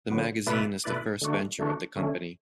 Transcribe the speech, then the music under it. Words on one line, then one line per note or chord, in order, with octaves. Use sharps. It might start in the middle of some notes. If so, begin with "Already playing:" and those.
The magazine is the first venture of the company.
D3 F#3 B3
B2 A3 E4 B4 D5
B2 A3 E4 B4 D5
D3 A3 D4 F#4
D3 A3 D4 F#4
D3 A3 C#4